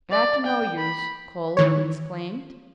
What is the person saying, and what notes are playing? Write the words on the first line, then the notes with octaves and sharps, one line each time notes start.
"Glad to know youse, cull!" he exclaimed.
D5
G5
B5
D#3 E3 C#5